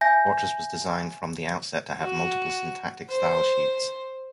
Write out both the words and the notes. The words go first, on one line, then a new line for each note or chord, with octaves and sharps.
Fortress was designed from the outset to have multiple syntactic stylesheets.
E5 G#5 G6 A#6
F#4
C5